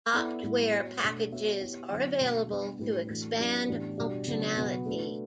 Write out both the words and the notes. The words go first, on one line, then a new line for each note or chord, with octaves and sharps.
Optware packages are available to expand functionality.
B3 E4 A4 D5
A2 G3 B3 E4
B3 F#4 C#5
B2 A3 D4 F#4
B3 F#4 C#5 E5
B3 E4 G4 C#5
D3 F#3 B3 E4
B2 A3 D4
G3 B3 D4
A2 G3 D4 G4 B4
A2 E3 A3 D4 F#4
F#3 C#4 E4 G4 D5
A2 E3 B3 D4 G4
B2 G3 D4 G4 D5
C#3 F#3 B3 D4
B2 F#3 B3 F#4
A3 D4 F#4 B4